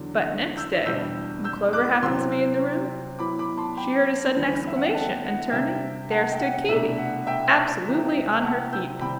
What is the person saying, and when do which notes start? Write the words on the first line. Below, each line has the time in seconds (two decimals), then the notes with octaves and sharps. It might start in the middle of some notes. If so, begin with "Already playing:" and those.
But next day, when Clover happened to be in the room, she heard a sudden exclamation, and turning, there stood Katy, absolutely on her feet.
Already playing: E2 D3 F#3
0.57 E6 G6
0.86 E2 B2 G3 D4 E6 G6
1.44 E6 G6
1.73 D6 F#6
2.03 C3 F#3 C4 E4 C6 E6
3.19 A2 F#3 B3 E4 B5 D6
3.39 B5 D6
3.57 A5 C6
3.77 G5 B5
4.35 E2 D3 G3 B3
4.67 E5
4.76 F#5
4.85 G5
4.94 F#5 A5
5.24 F#5
5.52 C3 G3 D4 E5 G5
6.11 F#5 A5
6.32 G5
6.39 F#5
6.68 C2 B2 A3 D4 E5
6.98 F#5
7.27 E5 G5
7.86 C2 C3 E3
8.43 F#5 A5
8.73 E6 G6
9.01 C3 E3 G3 G5 B5